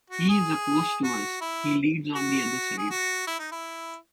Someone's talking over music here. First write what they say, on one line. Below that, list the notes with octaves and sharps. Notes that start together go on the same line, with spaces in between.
He’s opposed to us; he leads on the other side.
F#4
G#4
F#4
E4
F#4
G#4
F#4
E4
D#4
E4